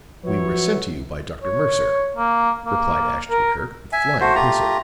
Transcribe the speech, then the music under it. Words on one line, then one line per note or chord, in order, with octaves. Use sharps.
"We were sent to you by Dr. Mercer," replied Ashton-Kirk with flying pencil.
F3 F#3 F#4 B4 C#5 E5
C#5
A#3
A#3
A#4
E5 G#5
A3 F#4 C5
A3 F4 G4 A#5